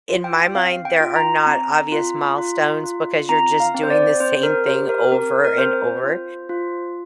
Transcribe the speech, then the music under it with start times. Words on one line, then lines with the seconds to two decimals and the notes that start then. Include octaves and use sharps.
in my mind, there are not obvious milestones, because you're just doing the same thing over and over.
0.09 F4
0.24 G5
0.55 C4 F5
0.85 G5
1.00 F4
1.16 A#5
1.46 C4
1.92 F4
2.38 F4
2.84 F4
3.29 C4 A#5
3.60 F5
3.74 C4
3.83 C5
3.90 D5
4.20 C4 C5
4.43 A#4
4.66 G4 C5
4.89 A#4
5.12 C4 A#4
5.45 A#4
5.58 C4 C5
6.04 F4
6.49 F4